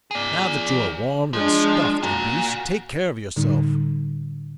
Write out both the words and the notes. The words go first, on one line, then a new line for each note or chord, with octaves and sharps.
Now that you are warmed and stuffed, you beast, take care of yourself.
G#4 D5
F3 G#3 D4
A#2 F#4
A2 D3 G3 D#4